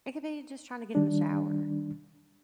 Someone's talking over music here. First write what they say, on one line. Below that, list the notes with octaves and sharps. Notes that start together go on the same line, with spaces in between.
It could be just trying to get in the shower.
D#3 G3 D4